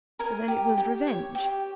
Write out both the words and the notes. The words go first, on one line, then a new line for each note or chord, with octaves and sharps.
"Then it was revenge."
A#4 G#5
G4
G4
C#5
G4